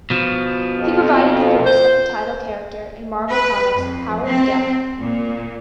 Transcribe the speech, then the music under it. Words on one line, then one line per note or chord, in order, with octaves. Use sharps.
He provided the voice of the title character in Marvel Comics' "Howard the Duck".
B2 F3
F2
C5
B4
F2
C4
A#2